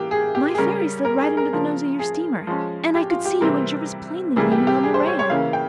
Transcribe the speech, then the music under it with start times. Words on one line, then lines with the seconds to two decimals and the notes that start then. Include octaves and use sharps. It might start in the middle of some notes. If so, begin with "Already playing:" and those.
My ferry slid right under the nose of your steamer, and I could see you and Jervis plainly leaning on the rail.
Already playing: E3 A#3 G4
0.11 G#4
0.35 G4
0.54 G#4
0.58 C#3 G3 C#4 A#4
1.05 A#4
1.21 G#4
1.37 A#4
1.53 C#3 F3 A#3
1.99 G#4
2.47 F3 G#3 C#4
2.95 G4
3.10 F4
3.25 G4
3.41 C3 E3 G3 C4 A#4
4.36 C3 E3 G3 A#3 G#4
4.52 G4
4.67 G4
4.83 G#4
4.94 C5
5.07 C#5
5.19 C#5
5.30 C#3 E3 A#3 C#4 F5
5.53 G5